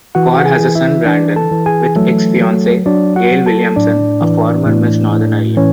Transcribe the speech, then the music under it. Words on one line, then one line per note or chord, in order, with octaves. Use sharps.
Corr has a son, Brandon, with ex-fiancee Gayle Williamson, a former Miss Northern Ireland.
E3 F#4 F#5
F#5
G#4 G#5
E3
E4 E5
E3 D4 D5
A4 A5
E3
G#4 G#5
F#3 A3 A4
F#3
F#3 D4 D5
F#4 F#5
F#3
A4 A5
A2 D4 D5
E3
A2
A2
E3 C#4 C#5